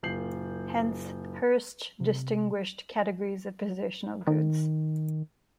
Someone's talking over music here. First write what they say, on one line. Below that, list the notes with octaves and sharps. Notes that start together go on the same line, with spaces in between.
Hence, Hirsch distinguished categories of positional goods.
F#1 A#2 G6 C7 F#7
C3
D#3